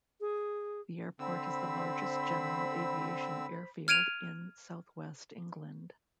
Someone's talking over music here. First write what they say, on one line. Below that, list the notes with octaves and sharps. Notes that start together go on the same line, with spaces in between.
The airport is the largest general aviation airfield in South West England.
G#4
D3 C4 C5 B5 E6
F6 G#6 D7 D#7 F7